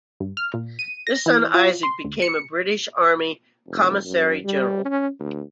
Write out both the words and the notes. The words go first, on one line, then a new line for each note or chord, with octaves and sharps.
Their son Isaac became a British army commissary-general.
G2
F6
A#2
D#7
A#6
E3
F4
C6
D2
C#7
F1
F#2
G3
C#4
D2